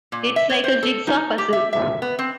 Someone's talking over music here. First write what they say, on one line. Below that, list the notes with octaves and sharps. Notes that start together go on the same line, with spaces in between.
It's like a jigsaw puzzle.
A#2
E5
C#5
C5
A4
D#4
G4
E5
E5
B3
C4